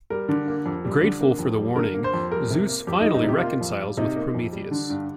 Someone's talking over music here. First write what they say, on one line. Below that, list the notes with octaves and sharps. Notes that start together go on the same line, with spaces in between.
Grateful for the warning, Zeus finally reconciles with Prometheus.
G3 A#4
D3
A#3
F2
G3
D3
A#3
F2
G3
D3 A#4
A#3
C5
F2
G3 A#4
C3
A#3
F2 G4
G3 D#4
D#4
C3
G4
A#3 F4
F2
G3
C3 D#4
A#3
F2
G3
D3
G2